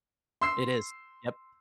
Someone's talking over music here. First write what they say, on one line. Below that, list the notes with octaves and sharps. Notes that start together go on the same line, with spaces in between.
It is. Yep.
C6 E6 C7